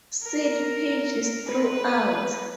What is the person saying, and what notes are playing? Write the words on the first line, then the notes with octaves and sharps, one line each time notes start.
Seat pitch is throughout.
A#4
B4